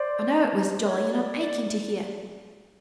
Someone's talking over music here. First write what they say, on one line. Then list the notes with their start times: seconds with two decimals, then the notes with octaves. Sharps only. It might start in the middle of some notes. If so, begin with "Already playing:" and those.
I know it was jolly, and I'm aching to hear.'
Already playing: C5 D5
0.84 C#5
1.11 D5
1.39 D5